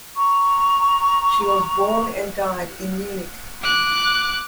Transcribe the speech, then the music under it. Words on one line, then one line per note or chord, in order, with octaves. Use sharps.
She was born and died in Munich.
A#5 C#6
D6 F#6